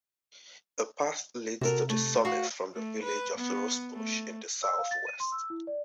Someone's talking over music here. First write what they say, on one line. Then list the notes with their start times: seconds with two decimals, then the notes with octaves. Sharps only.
A path leads to the summit from the village of Rosebush in the south-west.
1.61 C3 F#4 A4 A#4
1.89 A3
2.25 F#4 F5 F#5
2.74 A3
3.02 B4
3.37 B3
3.93 A3
4.63 E6
4.78 F5
4.91 A6
5.07 D#7
5.20 C6
5.32 E6
5.50 E4
5.67 D5